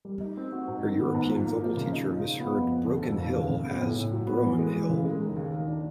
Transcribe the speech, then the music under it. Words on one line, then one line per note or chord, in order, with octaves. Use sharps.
Her European vocal teacher misheard "Broken Hill" as "Bro-n-hill".
G3
D#4
C4
F#4
G#2
D#3
B3
G#2
F3
A#3
F3
C#3
D#4
A#2
A#2
B3
F2
F2
D3
F2
D#2
C#3
C#3
B3
A2
A2
F#3
B3
E3
G#3
E3
C#3
G#3
D#3
D#2
D#3
D4